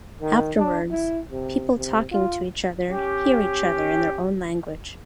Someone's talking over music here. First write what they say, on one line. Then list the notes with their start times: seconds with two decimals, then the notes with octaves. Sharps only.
Afterwards, people talking to each other hear each other in their own language.
0.21 D#3
0.58 D4
0.91 E4
1.32 C3
1.78 C3
2.12 F4
2.91 C#4 G4